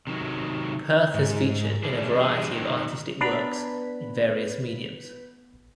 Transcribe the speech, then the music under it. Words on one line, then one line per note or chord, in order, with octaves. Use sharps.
Perth has featured in a variety of artistic works in various mediums.
C3 D#3 F#3
G#2
E3 G3 D4 G#4
D#3 F#3 C4
B3 D4 B4 A#5 B6